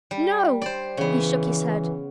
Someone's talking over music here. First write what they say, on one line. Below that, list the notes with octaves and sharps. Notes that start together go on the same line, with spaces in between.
"No," he shook his head.
G3
C5 D5
C#3 E3 B3